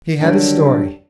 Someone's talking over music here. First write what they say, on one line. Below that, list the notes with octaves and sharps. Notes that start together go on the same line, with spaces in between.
He had his story.
D3 D#3 F#3 G3